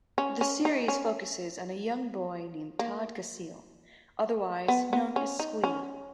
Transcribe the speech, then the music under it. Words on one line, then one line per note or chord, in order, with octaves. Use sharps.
The series focuses on a young boy named Todd Casil, otherwise known as Squee.
C#4
C#4
D#4
C#4
A#3
B3
B3
C#4
D#4
C#4